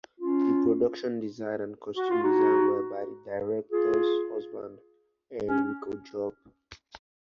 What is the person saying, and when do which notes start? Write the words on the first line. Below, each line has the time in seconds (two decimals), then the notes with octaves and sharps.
The production design and costume design were by the director's husband, Enrico Job.
0.20 C#4 F4
1.96 F#4
2.10 F4
2.23 D#4 F#4
3.72 F4 G#4
5.48 C#4